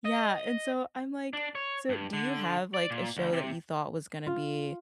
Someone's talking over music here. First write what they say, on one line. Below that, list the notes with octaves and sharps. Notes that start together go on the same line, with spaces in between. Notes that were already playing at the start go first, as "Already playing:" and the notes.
Yeah and so, I'm like so, do you have, like, a show that you thought was gonna be
D#5
D4
C#5
G2
D3
D5
A#2
D2
C3
F4